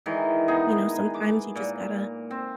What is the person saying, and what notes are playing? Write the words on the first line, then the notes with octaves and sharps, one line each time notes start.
you know, sometimes you just gotta
D#3 E3 G#3
B3 D#4 G#4
D6
A#2
C4